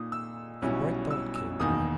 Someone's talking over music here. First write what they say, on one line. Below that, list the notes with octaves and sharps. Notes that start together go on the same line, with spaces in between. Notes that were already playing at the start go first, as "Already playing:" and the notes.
A bright thought came to me.
Already playing: A#2 A#3 D#4 D#6
E6
B1 B2 G3 C#4 E4
E6
E6
E1 E2 D#3 A#3 D#4 D#6